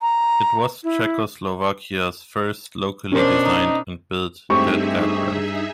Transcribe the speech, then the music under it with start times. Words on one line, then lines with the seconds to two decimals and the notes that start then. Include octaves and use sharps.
It was Czechoslovakia's first locally designed and built jet aircraft.
0.02 A#5
0.83 E4
3.12 B2 C#4 D4 A#4 C5
3.45 D#4
4.50 G2 A3 C4 D#4 G4 G#4 E5 C#6